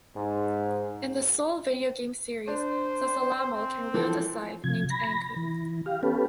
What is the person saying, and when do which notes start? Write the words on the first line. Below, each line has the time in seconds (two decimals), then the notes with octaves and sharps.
In the "Soul" video game series, Zasalamel can wield a Scythe named Ankou.
0.16 G#2
2.48 D4 C5
3.53 C4
3.94 E3 F3 A4
4.64 C3 F3 G#6
4.90 B5 A#6
5.36 E3
5.86 G4 F5
6.03 B3 C#4 G4 A4 B4